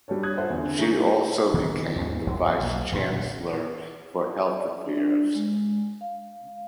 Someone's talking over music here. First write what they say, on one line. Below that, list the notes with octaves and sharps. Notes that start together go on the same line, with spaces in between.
She also became the vice chancellor for health affairs.
G3 D4 A4 C#5
D#6 F#6 G#6
F4 A4 C5 E5 F#5
E2 D3
D3 C4
A3 G#4 A#5 C#6 G6
D#3 E3 A#3 B3
D#2 G#2 C#4
F#1 E2 G#3
F#2 F3
B1 A#3
E1 A#2 D3
D5
D4
G#3
F5